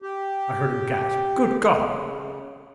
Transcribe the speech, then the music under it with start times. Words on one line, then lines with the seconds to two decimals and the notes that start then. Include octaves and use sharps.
I heard him gasp, "Good God!"
0.02 G4
1.84 C#3